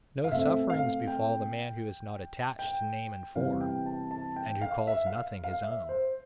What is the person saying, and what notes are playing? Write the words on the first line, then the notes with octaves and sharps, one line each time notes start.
No sufferings befall the man who is not attached to name and form, and who calls nothing his own.
F5
B2 A3 C4 E5
F5
G5
G5
C3 E3 G3 B3 F5
G5
A5
A5
G5
F5
E5
F5
F5
E5
C5